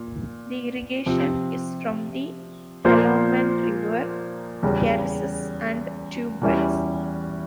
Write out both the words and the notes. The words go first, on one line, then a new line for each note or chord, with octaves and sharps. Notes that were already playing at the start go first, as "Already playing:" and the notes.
The irrigation is from the Helamand River, karezes and tube-wells.
Already playing: A#2
C3 F3 C4
A#2 F3 A#3 F4 C5
E2 C#3 G3
E2 E3 G3 C#4 E4